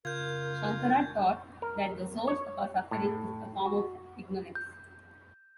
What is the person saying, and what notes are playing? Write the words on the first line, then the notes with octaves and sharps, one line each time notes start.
Shankara taught that the source of our suffering is a form of ignorance.
C#3 F4 A#4 G6 G#6
A#4
C#5
A2
F#4
G6